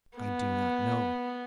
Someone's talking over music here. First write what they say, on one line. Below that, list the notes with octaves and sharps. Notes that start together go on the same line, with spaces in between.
"I do not know."
B3